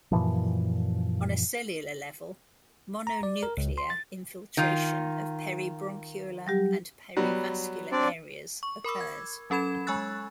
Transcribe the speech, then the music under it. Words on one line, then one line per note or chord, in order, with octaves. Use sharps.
On a cellular level, mononuclear infiltration of peribronchiolar and perivascular areas occurs.
F#2 A#2 E3 F3
A#5
D5
A#4
C#2
C6
A6
D#3 F4
F#3 G3 G4
F#3 G3 B3
C4 D4 D5
C#6
A#4 B5 D6 E6
G#6
F#3 C#4 A4 B5 G#6 E7
G#3 G#5 C#6 E6 F#6 A6